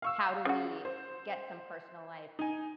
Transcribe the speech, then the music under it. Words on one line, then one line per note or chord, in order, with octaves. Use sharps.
How do we get some personal life
F5 C#6 E6
C#3 F#4
C5
D#4 G#5